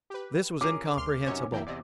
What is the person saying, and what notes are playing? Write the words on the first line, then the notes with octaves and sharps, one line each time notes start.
This was incomprehensible.
G4 B4
C#4 F4 G#4 A#4 D6
D2 C6 F6
F#2 C3 C#4 D#4 C#5
B1 E3 A#3 E4 G5
E2 C3 D5 D#5